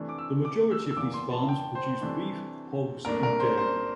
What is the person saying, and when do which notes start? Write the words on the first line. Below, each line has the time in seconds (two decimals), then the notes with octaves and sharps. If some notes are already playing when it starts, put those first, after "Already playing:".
The majority of these farms produce beef, hogs, and dairy.
Already playing: C3 E3 A3 D4
0.09 D6
0.18 E6
0.45 D6
0.71 E6
0.91 E6
0.97 E2 E3 A#3 D6
1.14 C6
1.31 A5
1.48 G5
1.75 C5
2.01 C3 E3 A3 D4
3.05 C2 A#2 A3 D4 A#4
3.23 A#4
3.40 C5
3.57 C5